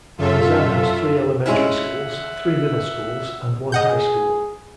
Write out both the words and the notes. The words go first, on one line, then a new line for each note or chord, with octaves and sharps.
Ranzan has three elementary schools, three middle schools and one high school.
F#2 F4 A4 E5
G#3 C#4 E4 E5 F#5
G#4 D#5 F#5 G6